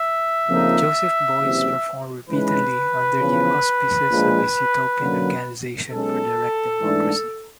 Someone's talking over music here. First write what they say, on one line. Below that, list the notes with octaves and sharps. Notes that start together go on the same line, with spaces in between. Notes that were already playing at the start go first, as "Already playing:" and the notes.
Joseph Beuys performed repeatedly under the auspices of his utopian Organization for Direct Democracy.
Already playing: E5
F2 C#3 F3 A#3 D#4
F#1 E2 C3
G#2 E3 G#3 C#4 B4
E2 C#3 F3
A#1 A#2 F3 G#3
F#2 D3 F#3 A#3
B1 B2 G#3 C#4 A4
G#2 E3 A3 D4